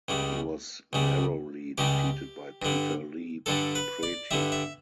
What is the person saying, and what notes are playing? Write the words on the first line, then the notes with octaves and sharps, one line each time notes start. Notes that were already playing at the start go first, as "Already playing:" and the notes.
He was narrowly defeated by Peter Li Preti.
C#2 C#3 G3
C#2 C#3 G3
C#2 C#3 G3 G4
G2 D3 G3
G2 D3 G3 A4
B4
D5
G2 D3 G3 E5
E5